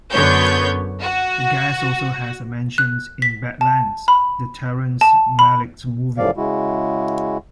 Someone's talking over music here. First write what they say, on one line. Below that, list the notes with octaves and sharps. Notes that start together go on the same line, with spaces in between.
The gas also has a mention in "Badlands," the Terrence Malick movie.
F#2 D3 B3 C#5 G6
F#4
F#6
B6
A5
B5
A5
B5
F#2 A2 C#3 F3 D5 F5
C#3 G#3 E4 F#4